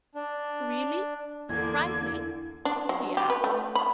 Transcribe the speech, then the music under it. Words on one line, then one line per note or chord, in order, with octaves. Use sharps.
"Really frankly?" he asked.
D4
E2 D3 A#3 G#6
D4
F#3
G4
B4
A3
B5